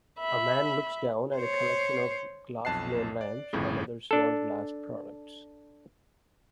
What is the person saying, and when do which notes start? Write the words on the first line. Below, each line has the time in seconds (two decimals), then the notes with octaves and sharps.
A man looks down at a collection of glassblown lamps and other small glass products.
0.19 E5 B5
1.36 C5 C#5
2.65 B1 F2 A5 F#6 C7
3.21 D5
3.53 G1 F2 A2 C#3
4.11 D4 A4